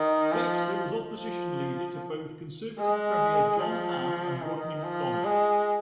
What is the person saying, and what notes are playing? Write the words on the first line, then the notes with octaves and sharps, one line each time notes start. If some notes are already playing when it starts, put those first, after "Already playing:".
Dexter was Opposition Leader to both Conservative Premier John Hamm and Rodney MacDonald.
Already playing: D#3
F3
F3
G#3
F3
D#3
F3
G#3